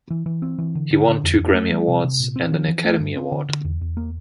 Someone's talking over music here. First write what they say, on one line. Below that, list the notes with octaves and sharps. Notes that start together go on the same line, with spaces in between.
He won two Grammy Awards and an Academy Award.
E3
E3
C4
E3
D3
D3
D3
F2
F2
A3
G3
C3
C3
A#2
C4
F3
E3
A3
G2
C4
D3
D3
E2
E2
A#3